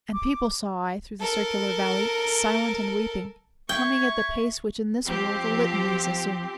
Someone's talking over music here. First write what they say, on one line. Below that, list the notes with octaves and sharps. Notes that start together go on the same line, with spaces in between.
And people saw I through the circular valley, Silent and weeping, coming at the pace Which in this world the Litanies assume.
D6
A4 A#4
E5 G5 C#6 G#6
F3 C4 G4